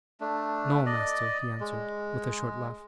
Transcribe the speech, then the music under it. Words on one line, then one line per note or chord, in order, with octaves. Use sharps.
'No, master,' he answered with a short laugh.
A3 D4
D5 D#5
G#3